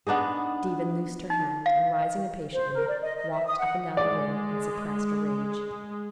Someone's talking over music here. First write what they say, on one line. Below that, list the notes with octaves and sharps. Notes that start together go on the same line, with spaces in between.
Stephen loosed her hand, and rising impatiently, walked up and down the room in suppressed rage.
B3 D4 D#4 G#4
D#4
F5
C5
A#4
D5
D#5
D#5
E5
D#6
F#5
G#3 D5